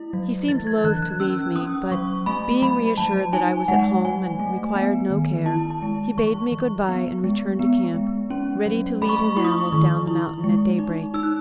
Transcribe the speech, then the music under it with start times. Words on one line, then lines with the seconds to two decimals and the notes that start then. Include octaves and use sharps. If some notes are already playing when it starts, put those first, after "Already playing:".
He seemed loath to leave me, but, being reassured that I was at home and required no care, he bade me good-bye and returned to camp, ready to lead his animals down the mountain at daybreak.
Already playing: A3 E4
0.13 F#3
0.48 E3 A6
0.67 G#6
0.84 E3 F#6
1.02 F#6
1.20 C#4 E6
1.56 C#4 D#6
1.91 F#3 C#6
2.26 A3 B5
2.62 F#3 B5
2.98 F#3 A5
3.33 D#4 G#5
3.68 G#3 F#5
4.05 F#3 G#5
4.40 A3
4.75 B3
5.10 D#3
5.46 E4 A5
5.70 A5
5.82 G#3
6.17 E3 C#6
6.52 E3
6.89 B3
7.24 G#3
7.59 B3
7.94 G#3
8.30 C#4
8.66 F#3
9.02 A3 B5
9.09 C#6
9.17 B5
9.37 E4 C#6
9.45 D#6
9.52 C#6
9.72 D#3
10.07 E4
10.44 G#3
10.79 D#4
11.14 D#4 E6
11.23 F#6